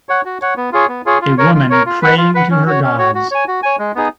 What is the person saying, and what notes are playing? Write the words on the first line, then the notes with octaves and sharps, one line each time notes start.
A woman praying to her gods.
C#5 F#5
F#4
C#5 F#5
B3
F4 G#4 C#5
B3
F4 G#4 C#5
F4
A#4 C#5
F4
A#4 C#5
F4
B4 F#5
F4
B4 F#5
C#4
F#4 C#5
C#4
F#4 C#5
F#4
C#5 G#5
F#4
C#5 G#5
G#3
B3 D#4 G#4